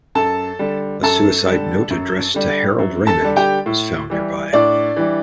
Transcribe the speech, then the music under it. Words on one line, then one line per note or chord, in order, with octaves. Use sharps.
A suicide note addressed to Harald Ramond was found nearby.
F#2 A4 A5
D3 G3
F#2 A4 A5
D3 G3
F#2
D3 G3
F#2
A4 A5
D3 G3
G4 G5
A2
E3 G3
A2 D4 D5
E3 G3